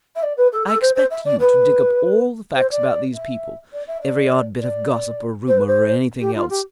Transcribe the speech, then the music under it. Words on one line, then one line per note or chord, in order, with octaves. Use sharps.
I expect you to dig up all the facts about these people; every odd bit of gossip or rumor or anything else.
E5
D5
B4
A4
A4
C5
C5
E5
D5
B4
C5
D5
E5
D5
E5
D5
D5
C5
B4
C5
G4
F4
G4